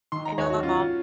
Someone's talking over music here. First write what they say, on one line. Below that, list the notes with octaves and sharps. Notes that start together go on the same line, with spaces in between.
know my mom,
D#3 C6
A#5
D#2 C#5
F#4
C#4 F4